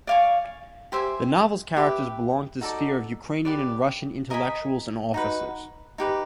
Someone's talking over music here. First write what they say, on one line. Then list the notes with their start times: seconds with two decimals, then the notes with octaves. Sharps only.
The novel's characters belong to the sphere of Ukrainian and Russian intellectuals and officers.
0.07 D5 F5 G#5 C#6
0.92 G4 C5 E5 G#5
1.77 G4 B4 E5
2.61 D#4 F#4 A4 D5
3.45 G4 B4 D5
4.30 A#4 D#5 G#5 B5
5.14 D#4 F#4 B4
5.98 D#4 G4 B4